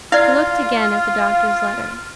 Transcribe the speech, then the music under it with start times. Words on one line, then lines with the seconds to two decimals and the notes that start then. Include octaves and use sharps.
She looked again at the doctor's letter.
0.12 E4 F4 D5 F5